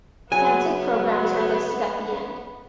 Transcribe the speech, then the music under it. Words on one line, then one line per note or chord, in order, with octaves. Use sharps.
Canceled programs are listed at the end.
C#3 F#3 B3 G#5